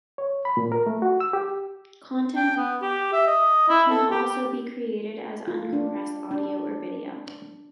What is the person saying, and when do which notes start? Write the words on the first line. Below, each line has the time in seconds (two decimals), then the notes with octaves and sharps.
Content can also be created as uncompressed audio or video.
0.18 C#5
0.45 B5
0.57 A#2
0.72 A#4
0.86 A3
1.02 F#4
1.20 E6
1.33 G4
2.37 G5
2.57 B3
2.82 G4
3.13 E5
3.27 D#5
3.69 E4
3.90 A4
4.11 G4
4.29 G4
5.48 F4
5.73 D4
6.31 D4